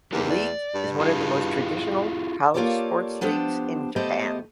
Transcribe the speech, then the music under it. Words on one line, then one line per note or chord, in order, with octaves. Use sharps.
The league is one of the most traditional college sports leagues in Japan.
E2 D#4 G4 A#4
D5
G2
E4 F4 G#4
A#3 F4 G4 A4 C#5 D5
F3 B3 D4 G4 C5
A3 B3 G4 A4 C5 D#5